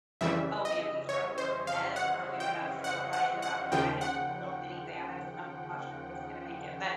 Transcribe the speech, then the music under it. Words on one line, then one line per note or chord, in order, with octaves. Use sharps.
Oh, man, we drove forever, we went up so high in the mountains, and I had, like, a little minivan. I was not sure if it was gonna make it, but,
F2 C#3 E3 G3 E5
D#5
C#5
C5
F5
F#5
G5
F#5
F#5
F#5
D#2 C#3 F3 G5
F#5